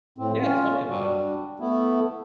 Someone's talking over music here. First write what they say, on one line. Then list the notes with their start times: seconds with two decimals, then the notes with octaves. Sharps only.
Yeah, tell me about it.
0.18 A2 C4
0.41 C#4 F4
0.88 G3 D4 F#4
1.60 A3 B3 E4